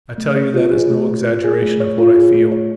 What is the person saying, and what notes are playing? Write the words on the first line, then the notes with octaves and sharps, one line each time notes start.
I tell you that is no exaggeration of what I feel.
A3
C#5
F4
G#4
A3
C#5
F4
G#4
A3
C#5
F4
G#4
A3
C#5